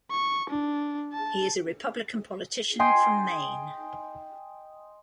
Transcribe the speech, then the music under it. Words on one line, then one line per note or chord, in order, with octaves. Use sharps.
He is a Republican politician from Maine.
C#6
D4
A5
D#5 G5 G#5 C6